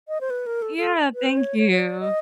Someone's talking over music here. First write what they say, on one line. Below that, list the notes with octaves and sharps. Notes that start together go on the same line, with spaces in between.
Yeah. Thank you.
D#5
C5
B4
A#4
A4
A4
B4
C5
C#5
C#5
C#5
D5
D#5